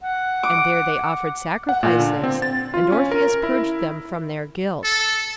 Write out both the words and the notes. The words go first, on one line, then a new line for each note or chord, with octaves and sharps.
And there they offered sacrifices, and Orpheus purged them from their guilt.
F#5
D6
F#5
A#2
D3
C4
A6
F4
C#4
A#4
E4
A4